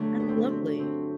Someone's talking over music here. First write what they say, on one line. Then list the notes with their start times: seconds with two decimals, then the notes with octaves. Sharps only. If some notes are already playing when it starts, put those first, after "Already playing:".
That's lovely.
Already playing: G2 D3 F#3 A3
0.20 B3
0.28 C4
0.38 B3
0.49 C4
0.79 C4